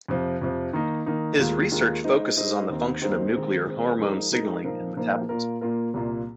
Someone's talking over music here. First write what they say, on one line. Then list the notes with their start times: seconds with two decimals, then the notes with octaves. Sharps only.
His research focuses on the function of nuclear hormone signaling and metabolism.
0.08 F2 C3 F3
0.41 F2 C3 F3
0.73 D#3 A#3 D#4
1.06 D#3 A#3 D#4
1.39 D#2 D#3 G#3 F4
1.72 D#2 D#3 G#3 F4
2.04 G#3 D#4 C5 D#5
2.36 G#3 D#4 C5 D#5
2.69 D#2 D#3 C4 D#4 C5
3.02 D#2 D#3 C4 D#4 C5
3.34 D#3 G#3 C4
3.67 D#3 G#3 C4
3.99 F3 G#3 D#4 A#4
4.31 F3 G#3 D#4 A#4
4.64 A#2 F3 A#3 D#4 A#4
4.96 A#2 F3 A#3 D#4 A#4
5.29 A#2 A#3 F4 A#4
5.61 A#2 A#3 F4 A#4
5.94 C2 A#2 A#3 F4